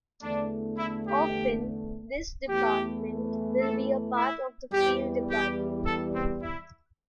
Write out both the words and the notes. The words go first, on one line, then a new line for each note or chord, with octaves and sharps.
Often, this department will be a part of the field department.
E2 D3 A3 D4
E4
G4
E2 E3 A3 G4
A4
E4
E2 E3 G3 G4
G4
A4
C4
E4